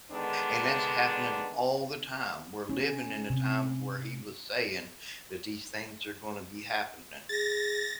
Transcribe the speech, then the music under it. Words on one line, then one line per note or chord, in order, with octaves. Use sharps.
and that's happening all the time. We're living in the times where He was saying that these things are gonna be happening,
D3 D#3 G#3 B3 D4
C#4
C3
G#4 A6 A#6